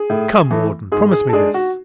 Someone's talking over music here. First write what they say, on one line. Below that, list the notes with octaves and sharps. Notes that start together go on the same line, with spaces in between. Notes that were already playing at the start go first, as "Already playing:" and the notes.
Come, warden, promise me this.
Already playing: G#4
A2
E3 A3
G#2 G#4
G#4
A4
G#3 D4 G#4
F#4